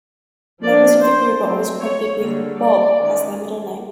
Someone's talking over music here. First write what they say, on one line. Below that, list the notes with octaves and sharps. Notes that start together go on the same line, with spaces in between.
Members of the group are always credited with "Bob" as their middle name.
F3 A#3 D4 D5
C5
F#3 A3 C4
C#5
D3 G3 A#3
D5
D#3 G#3 C#4